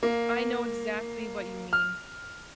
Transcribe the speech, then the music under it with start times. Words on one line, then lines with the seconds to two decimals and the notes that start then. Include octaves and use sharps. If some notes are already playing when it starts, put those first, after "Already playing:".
I know exactly what you mean.
0.03 A#3
1.73 F6